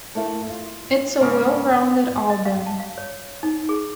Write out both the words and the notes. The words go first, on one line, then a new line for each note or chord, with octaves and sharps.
It's a well-rounded album.
A3 A#3 E4
F4
G#2 C#3 A#3 C#5
D#5
F5
A5
F5
C#5
D#4
G#4